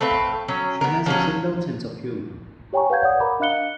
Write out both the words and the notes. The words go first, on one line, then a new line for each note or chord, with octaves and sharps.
She has a chilled out sense of humour.
A3 C4 B4 F5
F#3 C#4
B3 A#4
F3 F#3 C#4
G4 C#5 G5 G#5 A#5 C#6
B4 F5 F#5 G6 G#6
C#5 D5 F#5 D#6
A#4 A#5 B5 D6
D4 D#5 F5 F#6 C#7 G7